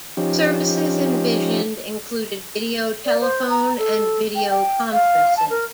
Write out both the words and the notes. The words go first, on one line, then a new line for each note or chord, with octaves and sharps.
Services envisioned included video telephone and video conferencing.
F3 C#4 D#4 G4
D5
C5
A#5
A4
G5
G5
F5
A5
A#4